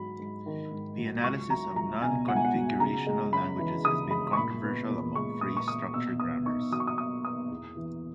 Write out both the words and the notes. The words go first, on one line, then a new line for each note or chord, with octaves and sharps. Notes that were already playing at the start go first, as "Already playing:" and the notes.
The analysis of non-configurational languages has been controversial among phrase structure grammars.
Already playing: G#2 F#3 B5
G#2
D#3
G#2
F#3
C#2 C#6
F#3 A#5
C#2 A#5
B2 G#5
C#2 F#5
G#5
F#5
F#3
C#3 A#5
G#3
C#4 B5
E3
C#3 D#6
G#3 B5
C#6
A#2 B5
B3
A#2
G#3 C#6
A#2 D#6
C#6
B3 D#6
B2 E6
B3 D#6
D#4 C#6
F#3 D#6
C#6
D#6
B2 D#6
B3 D#6
E2
E3